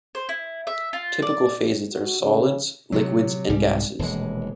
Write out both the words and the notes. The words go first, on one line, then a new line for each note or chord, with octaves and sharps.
Typical phases are solids, liquids and gases.
C5
E4
E5
F4
D5
F#4
C#3
C3 F#3
C2 G#2 G3
D#1 B2 E3 G#3